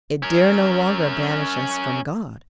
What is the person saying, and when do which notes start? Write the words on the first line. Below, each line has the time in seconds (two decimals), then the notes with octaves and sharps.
It dare no longer banish us from God.
0.23 C#4 A#4